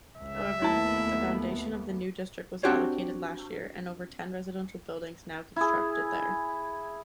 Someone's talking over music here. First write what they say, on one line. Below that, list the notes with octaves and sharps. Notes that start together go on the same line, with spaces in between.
However, the foundation of the new district was allocated last year, and over ten residential buildings now constructed there.
C#2 E5
D#2 A3 B3 E4 A5
C4 D4 F#4 G4 C5 C#5
E4 G#4